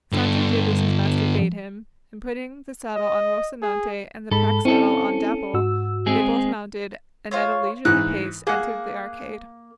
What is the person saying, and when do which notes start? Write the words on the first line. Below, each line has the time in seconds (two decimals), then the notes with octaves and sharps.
Sancho did as his master bade him, and putting the saddle on Rocinante and the pack-saddle on Dapple, they both mounted and at a leisurely pace entered the arcade.
0.13 G2 D3
2.96 D#5
3.62 G#4
4.31 G#2 G#3 A4 B5
4.65 C4 C#4 E4 A4
5.54 G#2 F#4 E6
6.06 G#3 C4 G#4
7.31 F4 C5 C#5
7.85 G#2 E3 F#6
8.47 A#3 G#4 F#5